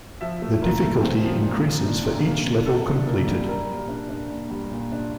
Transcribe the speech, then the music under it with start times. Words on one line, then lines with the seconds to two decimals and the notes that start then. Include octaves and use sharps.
The difficulty increases for each level completed.
0.21 F3 E5
0.42 A3
0.62 A#2 A#4
0.83 A3
1.03 C4
1.23 F3
1.43 A#2
1.64 A#2
1.85 D4
2.05 C3
2.25 A#3
2.45 C3
2.66 C3 A4
2.86 D4
3.07 A#3
3.28 G3
3.48 G3 A#4
3.69 A#2
3.88 D4
4.09 D4
4.30 A#2
4.50 G3
4.71 A#2
4.92 D4